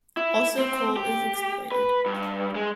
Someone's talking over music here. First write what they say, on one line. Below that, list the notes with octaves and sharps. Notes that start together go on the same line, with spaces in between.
Also coal is exploited.
E4
C4
G4
B4
G2
G#3